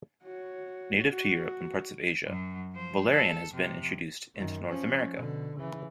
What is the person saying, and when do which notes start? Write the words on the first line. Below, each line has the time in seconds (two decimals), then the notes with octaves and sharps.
Native to Europe and parts of Asia, valerian has been introduced into North America.
0.23 F#4 C#5
1.08 F#4
2.26 F#2 F#3
2.72 F3 C5
3.10 A4
3.51 F2 C3
4.35 F#2 D#3
4.67 F3 C#4
5.14 B2 D3
5.57 C#3 E3